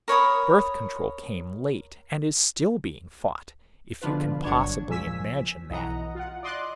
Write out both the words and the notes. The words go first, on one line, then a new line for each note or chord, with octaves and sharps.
Birth control came late and is still being fought--if you can possibly imagine that.
A#4 C#5 B5 D#6
B2 D3 F3 D4 F4 B4
G1 F#3 D4 C#6 G#6
C#2 A#2 F3 G#5 E6 B6
B1 E3 D#5 F#5 A#5
F4 F#5
D5 D#5 C6 D6 F#6